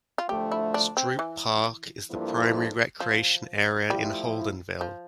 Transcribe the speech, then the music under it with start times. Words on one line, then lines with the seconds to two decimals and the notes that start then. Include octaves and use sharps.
Stroup Park is the primary recreation area in Holdenville.
0.18 F4
0.29 D2 D3 F3 A3 G4
0.52 E4
0.74 D4
0.97 C4
1.19 E3
2.10 G2 F3 A#3 E4 A4
3.00 F3
3.90 F3 G3 A3 E4
4.81 F3